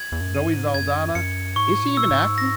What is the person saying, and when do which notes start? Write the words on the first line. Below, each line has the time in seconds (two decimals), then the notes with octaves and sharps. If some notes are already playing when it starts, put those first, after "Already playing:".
Zoe Saldana, is she even acting?
Already playing: G#6 F#7
0.12 E2
0.21 F#2
0.35 D#7
0.48 G#2
0.74 F#2 G#6
1.15 F#2 C#7
1.56 G#2 C#6
1.83 A#2
1.97 E6
2.10 G#2
2.38 A#6